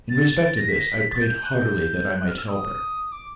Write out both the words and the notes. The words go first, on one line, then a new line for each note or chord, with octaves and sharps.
In respect of this, I prayed heartily that I might help her.
A6
A6
A#6
B6
A#6
B6
B6
A6
G6
G6
F#6
G6
F#6
F6
E6
D#6
D6